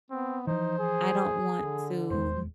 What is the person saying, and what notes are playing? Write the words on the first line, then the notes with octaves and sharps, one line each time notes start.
I don't want to
B3 C4
E3 F3 D#4 C5
G#4
D3
D#1 E2 G#3 C5